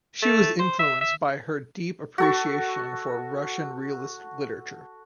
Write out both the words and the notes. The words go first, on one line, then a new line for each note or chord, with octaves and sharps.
She was influenced by her deep appreciation for Russian realist literature.
A3
C5
E5
E5
F#4 A4 C#6